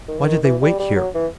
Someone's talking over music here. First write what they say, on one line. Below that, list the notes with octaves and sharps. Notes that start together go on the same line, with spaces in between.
Why did they wait here?
D#3
E3
D#3
E3
G3
G3
F#3
E3